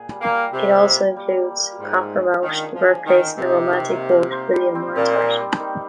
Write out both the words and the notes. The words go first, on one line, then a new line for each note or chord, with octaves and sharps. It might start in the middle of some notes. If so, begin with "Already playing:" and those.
It also includes Cockermouth, the birthplace of the romantic poet William Wordsworth.
Already playing: A#2 G#4
G3
A#3
G3
C3 G3
A#3
A#3
G3
G3
A#3
G#2 F4
G#3
G#4
D#3 D4
G#4
F3
G#4
D#3 A#4
D#4
C3
D#4
D#3
A#3
A#4
C5
G3
C4
A#2 C4
C5
G3
D#3